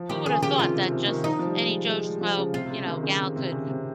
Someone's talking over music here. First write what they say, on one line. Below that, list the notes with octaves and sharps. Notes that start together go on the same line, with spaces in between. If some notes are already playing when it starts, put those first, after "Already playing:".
who would've thought that just any Joe Schmoe, you know, gal could
Already playing: F3
D#3 G4
C#3 G#4
C#3 G4
C3 F4
C3
C3
D#3
F3 D#4
F3
G3
G#3
G#3
G3
F3
C#3
C3 F4
C3
C#3
D#3
C#3
C3
C3
C#3
C3